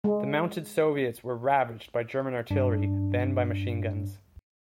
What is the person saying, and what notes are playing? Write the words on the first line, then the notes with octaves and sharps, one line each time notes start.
The mounted Soviets were ravaged by German artillery, then by machine guns.
G#3
G2 D4